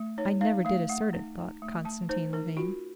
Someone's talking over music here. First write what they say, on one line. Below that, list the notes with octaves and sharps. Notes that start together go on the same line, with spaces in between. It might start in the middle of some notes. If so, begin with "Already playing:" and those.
"I never did assert it," thought Konstantin Levin.
Already playing: A3
D#4 C#5
D#4 F5
A3 F5
A3 F#5
D#4
D#4
A3
A3 A5
D#4 C5
D#4 A#4
F4 F#4